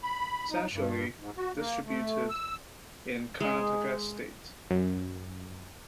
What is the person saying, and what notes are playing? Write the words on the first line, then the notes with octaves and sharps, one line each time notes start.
Essentially distributed in Karnataka State.
B5
D#4
G2
G#2
F#4
A#3
A3
E6
G#3 D#4 G#4 D#5
F#2